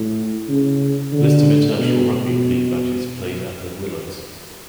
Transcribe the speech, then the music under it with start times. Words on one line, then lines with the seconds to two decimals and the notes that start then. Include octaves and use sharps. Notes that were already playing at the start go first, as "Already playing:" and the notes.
List of international rugby league matches played at The Willows.
Already playing: A2
0.49 C#3
1.12 D3
1.79 B2
2.10 B2